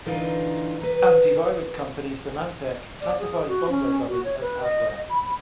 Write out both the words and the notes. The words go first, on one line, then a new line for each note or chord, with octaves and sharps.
Anti-virus company Symantec classifies BonziBuddy as Adware.
D3 E3 D4 D#4 F4 A#4
B4 A#5
D5
G#4
F#4
C#4
F#4
C#5
B4
D#5
B5